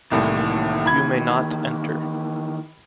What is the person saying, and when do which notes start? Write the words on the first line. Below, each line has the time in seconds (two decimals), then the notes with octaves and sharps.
You may not enter.
0.12 C2 A2 D#3 E3 A#3
0.86 B5 G#6